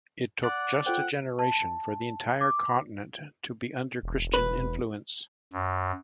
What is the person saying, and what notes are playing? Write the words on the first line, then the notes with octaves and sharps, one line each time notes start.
It took just a generation for the entire continent to be under Christian influence.
D5 F#5
F4 A4 C5 F#5 G5
A5
D6
E1
B4
F#2